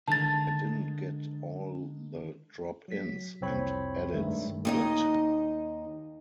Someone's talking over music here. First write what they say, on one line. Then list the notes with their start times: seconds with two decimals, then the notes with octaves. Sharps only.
I didn't get all the 'drop-ins' and 'edits' bit.
0.08 D3 D#3 G#3 A5 A6
2.88 F#3 B6
3.41 C2 F2 C4 C#5 B5
4.13 G2 D#3 G#3 A3
4.65 D#2 D#4 D#5